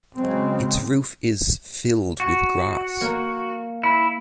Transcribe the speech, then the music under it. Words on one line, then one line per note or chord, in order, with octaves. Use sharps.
Its roof is filled with grass.
C#3 F#3 G#3 C4
F#4
A#3
E4